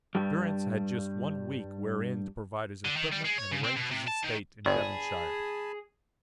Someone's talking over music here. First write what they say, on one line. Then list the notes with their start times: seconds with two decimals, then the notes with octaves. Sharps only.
Durrance had just one week wherein to provide his equipment and arrange his estate in Devonshire.
0.15 G2 G3
2.85 D3
2.97 D#3
3.13 G3
3.25 G#3
3.38 C#5
3.51 C#3
3.64 C4
3.76 B2
3.91 C3
4.08 A5
4.23 D#3
4.66 G1 G#4 D5 G#5 A5 B5